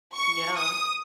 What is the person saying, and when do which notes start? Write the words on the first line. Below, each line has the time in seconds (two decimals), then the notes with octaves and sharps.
Mm yeah.
0.14 C#6
0.58 D#6